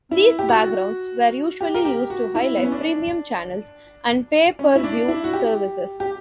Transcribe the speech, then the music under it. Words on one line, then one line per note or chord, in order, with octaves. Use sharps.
These backgrounds were usually used to highlight premium channels and pay-per-view services.
E4
G4
F#4
G4
A#4
G4
F#4
E4
B3
C#4
D4
C#4
E4
D4
E4
F#4
G4
G4